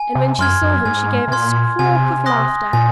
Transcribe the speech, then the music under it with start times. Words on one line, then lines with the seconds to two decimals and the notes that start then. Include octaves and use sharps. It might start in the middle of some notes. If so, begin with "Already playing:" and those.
And when she saw him she gave a squawk of laughter.
Already playing: G#5
0.15 C3
0.39 F#2 C6 F6 G#6
0.62 F#2
0.85 G#2 G#5
1.28 C3
1.32 A#2 C6 F6 G#6
1.79 C3 G#5
2.26 C6 D#6 F#6 A#6
2.73 A#2 G#5